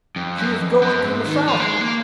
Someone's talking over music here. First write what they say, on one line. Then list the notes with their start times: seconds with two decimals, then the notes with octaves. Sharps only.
"She is going to the southward."
0.16 F2
0.38 F#2
0.60 F2
0.82 F#2
1.04 G#2
1.26 D#3
1.48 F3
1.60 A#3
1.64 G#3
1.81 A#3